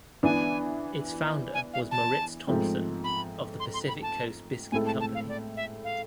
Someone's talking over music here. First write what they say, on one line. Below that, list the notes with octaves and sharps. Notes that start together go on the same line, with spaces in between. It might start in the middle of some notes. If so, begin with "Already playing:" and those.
Its founder was Moritz Thomsen of the Pacific Coast Biscuit Company.
E3 B3 D4 G#5
G#5
F5
A5
G#2 F3 A3 C4
B5
C6
C6
B5
A5
A2 G#3 C4 E4 A4 G#5
A5
A5
F5
D5
E5
F5